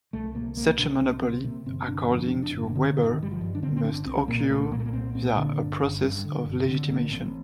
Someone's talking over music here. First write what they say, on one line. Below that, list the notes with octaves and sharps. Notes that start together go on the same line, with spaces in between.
Such a monopoly, according to Weber, must occur via a process of legitimation.
C2 A3
C3 A#3
C2 A#3
C3 D4
C2 C4
C3 C4
C3 A#3
G1 C4
G1 D4
F2 C4
D4
C3
D4
G1
D4
A#3
D3 C4
G1 D#3
G1 G3
F3
G2 D#3
D4
D3 C4
C4
G1 D4
C2 C4
A#2 A#3
C2 A3
A#2 A#3
A3
A#3
C2 C4
A#2 C4
D3 D4
G1
G1
G2
D3
G1
D3 C4
A1 A#3
A1 C4